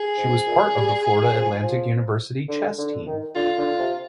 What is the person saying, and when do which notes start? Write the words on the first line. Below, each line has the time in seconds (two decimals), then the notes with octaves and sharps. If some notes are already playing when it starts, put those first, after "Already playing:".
She was part of the Florida Atlantic University Chess Team.
Already playing: G#4
0.17 G#2
0.47 A#2
0.76 G3
1.34 F3
1.62 F3
2.49 D3
2.78 D3
3.07 D#3
3.35 D3 F4
3.58 D3
3.79 C3